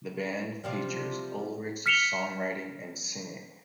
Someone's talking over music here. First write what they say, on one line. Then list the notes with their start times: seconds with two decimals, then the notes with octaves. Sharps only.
The band features Ullrich's songwriting and singing.
0.64 C3 F3 G3
1.86 F6 B6 C#7 E7 F7 G7